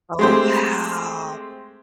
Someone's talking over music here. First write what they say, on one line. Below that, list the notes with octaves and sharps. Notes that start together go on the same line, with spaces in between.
Oh, wow!
G#3 A3 C4 G4 C5